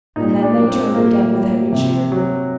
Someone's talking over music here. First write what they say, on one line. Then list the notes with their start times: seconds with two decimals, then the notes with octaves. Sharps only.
And then they turned again with heavy cheer.
0.16 A#2 D#4
0.42 D4
0.55 F#3
0.68 C4
0.94 A#2 A#3
1.20 A3
1.34 G3
1.47 A#3
1.72 C3
2.12 F#3